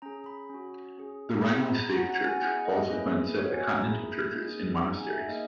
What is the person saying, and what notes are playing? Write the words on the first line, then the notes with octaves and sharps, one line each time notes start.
The Reinli stave church follows a plan set by continental churches in monasteries.
C#4 G#4 A#5
B5
C#4 F#4
C#4 G#4
B3 E4 G#4 A#5
B5
A#5
A#5
C#4 F#4 F#5
F#5
G#5
B3 E4 G#4 F#5
D#5
A#3 C#4 E4 G#4 B4
B3 F#4 C#5
G#5
A#5
A#3 E4 G#4 B5
A#3 D#4 G#4
B3 D#4 G#4 A#5
G#5
E5
A#3 D#4 G#4 D#5